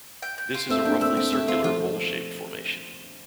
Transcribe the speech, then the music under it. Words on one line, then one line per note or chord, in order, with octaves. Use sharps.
This is a roughly circular, bowl-shaped formation.
G5
G5
F4
A3 C4 E5
A#3 D4 G5
A3 C4 E5
A3 C4 G5
A3 C4 E5
A3 C4 F4
F3 A3 F4